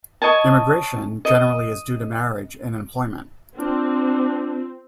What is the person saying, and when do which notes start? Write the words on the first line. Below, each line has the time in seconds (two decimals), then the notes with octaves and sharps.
Immigration, generally, is due to marriage and employment.
0.22 C#5 D#5 G#5 A5
1.25 D#5
3.59 C4 D4 F4